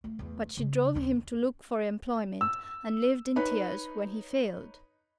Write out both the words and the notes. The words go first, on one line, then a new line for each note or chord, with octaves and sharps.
But she drove him to look for employment, and lived in tears when he failed.
A3 A#3
E2 A3
C#3
D#2 C#4
E6
D#4 B4 C#5 B5